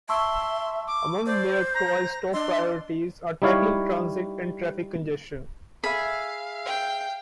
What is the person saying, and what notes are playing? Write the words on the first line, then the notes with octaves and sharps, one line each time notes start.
Among Mayor Tory's top priorities are tackling transit and traffic congestion.
E5 A5 C6 C#6 E6
D6
C5 D5
A#5
D4 D#5 C6 E6
G3 D#4 E4 C#5 F5
G#4 E5 F5 B5
G5